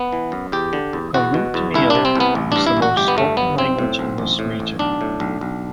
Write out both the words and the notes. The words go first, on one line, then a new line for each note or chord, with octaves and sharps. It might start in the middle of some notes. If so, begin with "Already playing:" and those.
Kongu Tamil is the most spoken language in this region.
Already playing: B3
E3
F#2
E2 G4
D3
E2
E2 F#4
B2
E2
C2 E4
D4
C3
C4
C2 B3
A1
G2 D4
E4
A1
F#4
G1 G4
B3
G2 A3
G1 B3
B1 C4
A2
B1
A1
A2
A1
B1 D4
A2
B1
B1